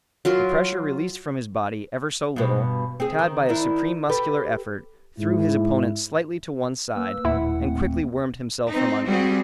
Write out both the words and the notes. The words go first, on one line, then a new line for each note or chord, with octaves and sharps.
The pressure released from his body, ever so little, Tad by a supreme muscular effort, threw his opponent slightly to one side, and quickly wormed himself from under.
F#3 F4 A#4 C6
G2 B2
C4 G#4
D#3
D#3 D4 E4
G4 A4 B4
G#2 E4
A#3 B4 E6
D#1 A2 E4 F#5
A3 A#3 C4
C4 D#4
G3 C4 F#4 G#4